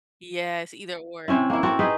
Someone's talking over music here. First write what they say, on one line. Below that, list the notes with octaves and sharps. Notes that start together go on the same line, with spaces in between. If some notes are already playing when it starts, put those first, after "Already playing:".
yes, either, or.
C3 C4 C#4 E4
A#3 E4
C4 F#4 A4
D#4 G#4 B4 C5